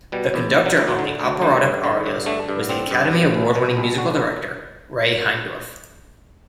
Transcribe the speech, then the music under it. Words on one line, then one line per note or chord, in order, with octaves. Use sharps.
The conductor on the operatic arias was the Academy Award-winning Musical Director Ray Heindorf.
B2 G3
E2
D3 G3
F#3
D2 E3
F#3
D3
D2
D3 G3
G2
D3
G2
D3 A3
G2
D3 C4
G2
B2
C2
B2
C2
D3 F#4